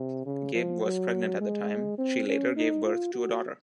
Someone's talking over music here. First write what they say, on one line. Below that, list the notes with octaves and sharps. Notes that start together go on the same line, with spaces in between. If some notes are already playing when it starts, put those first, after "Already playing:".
Gibb was pregnant at the time; she later gave birth to a daughter.
Already playing: C3
C#3
F3
F#3
G#3
C4
C#4
D#4
F4
F#4